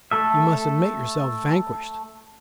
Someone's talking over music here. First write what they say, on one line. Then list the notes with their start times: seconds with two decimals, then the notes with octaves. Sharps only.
"You must admit yourself vanquished!"
0.11 A3 A4 E5